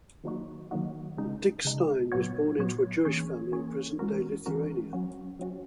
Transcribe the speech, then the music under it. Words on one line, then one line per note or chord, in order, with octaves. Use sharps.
Dickstein was born into a Jewish family in present-day Lithuania.
D#3 F#3 A#3 D#4 F#4
D#3 F#3 A#3 D#4 F#4
C#3 G#3 D#4
C#3 G#3 D#4
A#2 F#3 B3 F#4 C#5
A#2 F#3 B3 F#4 C#5
E3 A#3 C#4 G#4 C#5
E3 A#3 C#4 G#4 C#5
E3 G#3 C#4 F#4 A#4
E3 G#3 C#4 F#4 A#4
F#3 C#4 F#4
F#3 C#4 F#4